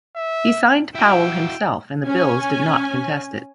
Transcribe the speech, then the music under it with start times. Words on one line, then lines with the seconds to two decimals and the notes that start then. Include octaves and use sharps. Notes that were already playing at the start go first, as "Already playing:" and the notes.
He signed Powell himself, and the Bills did not contest it.
0.16 E5
0.95 E4 F#4 G5 E6
2.06 C#4 G#5